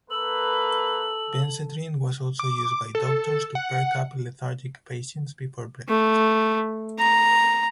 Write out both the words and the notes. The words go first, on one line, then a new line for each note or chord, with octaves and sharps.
Benzedrine was also used by doctors to perk up lethargic patients before breakfast.
A#3 A4 B4 E6 F#7
D6
A4
F#5
A3
A#5